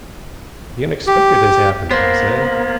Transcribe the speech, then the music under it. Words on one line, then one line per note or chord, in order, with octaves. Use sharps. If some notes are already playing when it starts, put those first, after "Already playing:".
"The unexpected has happened," I said.
G4
A#3 B3 C5